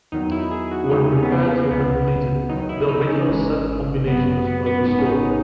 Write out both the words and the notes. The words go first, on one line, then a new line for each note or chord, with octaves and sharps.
When repairs were completed the original set combinations were restored.
E2 D#3 F#3 D#4
E4
G#4
F#4
E2 D#3 G#3 D#4
C#4
B3
A#3
B3
A#3
C#2 C#3 E3 G#3 B3
D#2 D#3 F#3 D#4
E4
D#4
C#4
G#1 G#2 E3 G#3
F#2 C#3 F#3 B3
B3
B3
G#1 G#2 D#3 B3
C#4
D#4
D#4